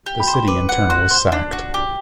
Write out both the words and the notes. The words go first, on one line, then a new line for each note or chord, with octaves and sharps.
The city in turn was sacked.
G4
B5
C5
C6
B4 D6
F#5
F#4 C6
C5
D4
F#4
G4 D6